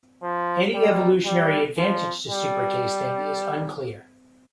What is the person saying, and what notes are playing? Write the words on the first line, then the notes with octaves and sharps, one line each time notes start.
Any evolutionary advantage to supertasting is unclear.
F3
G3
G3
F3
G3